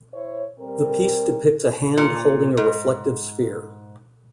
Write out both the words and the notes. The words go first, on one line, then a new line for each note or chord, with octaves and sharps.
The piece depicts a hand holding a reflective sphere.
E4 C5 C#5
G3 C4 A#4
A#2
G#2